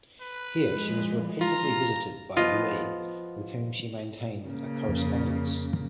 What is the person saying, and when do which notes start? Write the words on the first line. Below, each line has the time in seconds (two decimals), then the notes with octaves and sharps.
Here she was repeatedly visited by Louis, with whom she maintained a correspondence.
0.21 B4
0.71 F3 G#3
1.41 F4 A#5
2.37 F3 B3 F4 D#5
4.43 C#3 A#3
4.88 F2